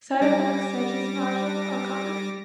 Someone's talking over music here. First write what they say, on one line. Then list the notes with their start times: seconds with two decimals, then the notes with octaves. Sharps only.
Side effects such as nausea are common.
0.21 G3 D6 A#6